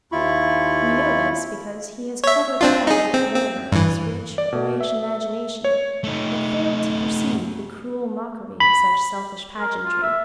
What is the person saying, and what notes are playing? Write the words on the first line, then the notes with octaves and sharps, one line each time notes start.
We know this, because he has covered all with the glamour of his rich, boyish imagination that failed to perceive the cruel mockery of such selfish pageantry.
D#2 E4 F4 B5 C#6
C#5 E5
C4 D4 F4
D#4 G#4
C4
C4
G2 E3
D5
B2
E5
C#5
A3 D#4
B5
A#4
F4
E5